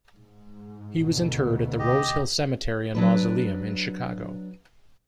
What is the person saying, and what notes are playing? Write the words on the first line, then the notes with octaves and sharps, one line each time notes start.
He was interred at the Rosehill Cemetery and Mausoleum in Chicago.
G#2
D2 B2
G4 D#5
F#3 D4 B4